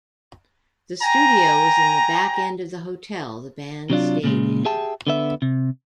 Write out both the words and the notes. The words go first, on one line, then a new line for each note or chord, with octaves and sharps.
The studio was in the back end of the hotel the band stayed in.
G5 G#5 A#5
C3 F#3 D4 F4
A#2 C#3 G#3
G4 G#4 E5 G5 A5
D3 B3 E5
C3